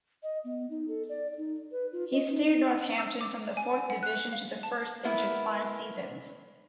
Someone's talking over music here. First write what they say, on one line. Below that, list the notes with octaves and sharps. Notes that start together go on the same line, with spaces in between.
He steered Northampton from the Fourth Division to the First in just five seasons.
D#5
B3
D#4
A4
D5
D#4
B4
F4
D#5
D#4
E6
D6
G#5
F#5
F#6
F5
A5
A#3 B3 E4